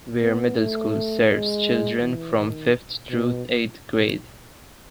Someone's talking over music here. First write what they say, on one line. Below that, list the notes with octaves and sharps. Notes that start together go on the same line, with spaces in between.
Weare Middle School serves children from fifth through eighth grade.
B3
A3
G#3
E3
D#3
B2